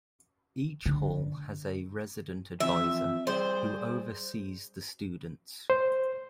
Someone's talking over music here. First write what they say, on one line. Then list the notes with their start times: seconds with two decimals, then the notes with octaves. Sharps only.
Each hall has a "resident advisor" who oversees the students.
0.86 D3
2.60 E3 F3 C4 E5
3.27 G3 G#4 C5 D5
5.70 C5